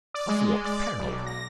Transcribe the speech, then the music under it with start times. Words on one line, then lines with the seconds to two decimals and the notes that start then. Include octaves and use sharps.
Of what peril?'
0.14 D5
0.28 G#3
0.65 D5
0.99 B1
1.26 A#6